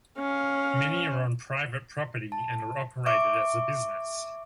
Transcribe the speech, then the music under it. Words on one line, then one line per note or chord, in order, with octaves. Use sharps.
Many are on private property and are operated as a business.
C#4 F5
A5
E5 C#6 D6 D7